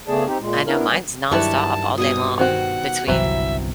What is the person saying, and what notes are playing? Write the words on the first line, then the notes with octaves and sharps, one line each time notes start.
I know mine's nonstop all day long between,
C#3 A3 B3 G#4 D5 A5
C4 D#4 G4
A#2 G#3
B3 D4 E4 A#4
G3 B3 G#5
G2 D#3 F#3 G3 E4 B4 A5 C#6
B2 G3 G#5 D#6
D#3 C4 F#4 F#5
G1 C2 C3 E3 F#3 C4 E5